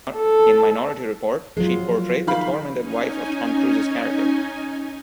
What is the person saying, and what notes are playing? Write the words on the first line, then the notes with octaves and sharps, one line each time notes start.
In "Minority Report", she portrayed the tormented wife of Tom Cruise's character.
A4
F3 F#3 G#3 F4
D#3 F5 B5
C#4 D#4 G#5